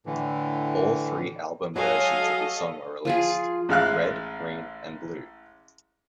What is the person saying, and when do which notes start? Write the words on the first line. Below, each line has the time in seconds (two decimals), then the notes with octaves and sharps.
All three album versions of the song were released: Red, Green and Blue.
0.06 A2 D3 E3
1.76 F#3 G#3 F#4 A4 D#5 F5 G#5
3.05 F3 F4 G#4
3.69 A1 G#3 F5 F#6